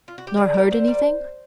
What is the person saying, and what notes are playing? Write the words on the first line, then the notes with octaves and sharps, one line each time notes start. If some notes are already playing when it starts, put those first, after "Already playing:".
"Nor heard anything?"
F4
F#4
G4
D3 G#4
G3 A#3 A#4
D3 C5
G3 A#3